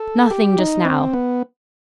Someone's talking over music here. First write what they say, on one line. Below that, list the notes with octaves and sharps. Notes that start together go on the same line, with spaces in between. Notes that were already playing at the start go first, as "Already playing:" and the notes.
'Nothing just now.
Already playing: A4
G4
D#4
C4
B3